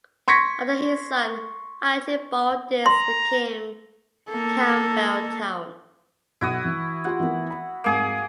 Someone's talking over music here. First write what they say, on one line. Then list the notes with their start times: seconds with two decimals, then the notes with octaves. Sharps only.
Under his son, Archibald, this became Campbeltown.
0.28 C6 C#6 G#6 A#6 B6 C#7
2.86 A#5 C6
4.29 A#3 A4
6.41 B1 E4 F#4 D#6
6.64 E3
7.05 F4 G4 F#5 C6
7.20 E3 B3 A#4
7.50 B5
7.84 F2 G#2 A#3 G#4 F#5 D#6